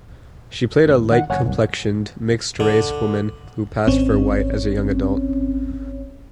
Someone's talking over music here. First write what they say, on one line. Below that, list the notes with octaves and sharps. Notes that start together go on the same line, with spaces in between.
She played a light-complexioned mixed-race woman who "passed" for white as a young adult.
G#1 D#2
D#3 F#5
F#1 C#5 F#5 G#5
C2
D3
G#1 C4 C#4 C#5